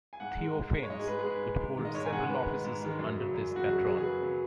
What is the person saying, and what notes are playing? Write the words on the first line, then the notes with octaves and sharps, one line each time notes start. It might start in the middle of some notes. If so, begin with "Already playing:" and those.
Theophanes would hold several offices under this patron.
G#5
G#2 F#5
G#3
G#2
G#3
C#5
G#2 D#5
G#4
G#3 B4
G#4
G#2 B4
G#3
G#2
D#3 G#3
D#5
G#2 C#5
G#5
D#3 G#3 F#5
G#2 B4
D#3 G#3
G#2
D#3 G#3
F#2
C#3 F#3
F#2
C#3 F#3 F#4
F#2 G#4
C#3 F#3 G#4
G#4
F#2 B4
C#3 F#3